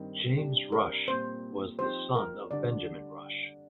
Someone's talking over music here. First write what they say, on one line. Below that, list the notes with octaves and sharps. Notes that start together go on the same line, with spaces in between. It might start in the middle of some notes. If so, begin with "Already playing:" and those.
James Rush was the son of Benjamin Rush.
Already playing: G2 D#3 G3 C4 D#4
C3 G3 D4 G4
A#4
A#2 G3 C4 C5
F3 C4 D#4 G4 C5
A#4
D3 G3 D4 D5